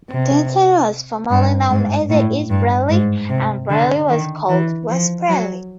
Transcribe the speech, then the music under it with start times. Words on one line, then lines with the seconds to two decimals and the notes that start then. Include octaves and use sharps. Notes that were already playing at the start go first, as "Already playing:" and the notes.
Deighton was formally known as East Bradley, and Bradley was called West Bradley.
0.10 C3
1.30 G2
1.70 G#2
2.10 A2
2.49 G2
2.89 G#2
3.30 C3
3.70 D3
4.09 D#3
4.49 E3
4.89 F3
5.29 F#3